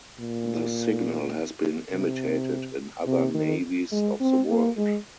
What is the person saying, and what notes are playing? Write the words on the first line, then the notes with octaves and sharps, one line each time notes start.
The signal has been imitated in other navies of the world.
A#2
C3
C3
D#3
G#3
C4
A#3
G#3